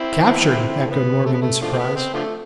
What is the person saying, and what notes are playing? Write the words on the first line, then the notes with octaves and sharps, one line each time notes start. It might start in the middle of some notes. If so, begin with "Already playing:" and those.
"Captured?" echoed Morgan, in surprise.
Already playing: C4 E4
A3
B3
A3
B3
A3
D3 F3 A3
C4
B3
C4
D3 F3 A3